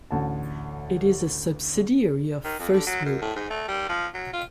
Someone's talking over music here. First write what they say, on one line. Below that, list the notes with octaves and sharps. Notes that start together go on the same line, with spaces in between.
It is a subsidiary of FirstGroup.
A1 D2 A5
D#3
F2
D3
F#3
F#2
A2
G#2
A3
G3
F3
F#3
F4